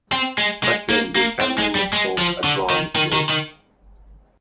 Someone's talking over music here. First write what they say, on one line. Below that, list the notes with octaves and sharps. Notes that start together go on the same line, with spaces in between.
Back then the academy was called a Drawing School.
C4
G#3
G#3
A#3
A#3
C4
G#3
G3
G#3
F3
D3
D#3
D#3
D#3
D#3